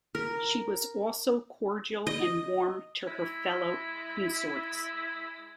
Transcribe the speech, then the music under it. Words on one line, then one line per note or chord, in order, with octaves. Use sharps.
She was also cordial and warm to her fellow consorts.
A#4
D#5
G#3 E4